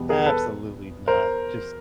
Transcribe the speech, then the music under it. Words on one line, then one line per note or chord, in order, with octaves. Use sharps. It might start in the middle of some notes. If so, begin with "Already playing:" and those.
Absolutely not, just
Already playing: E2 B2 G3 B3
G#4 A#4
A4 B4
A#4 C5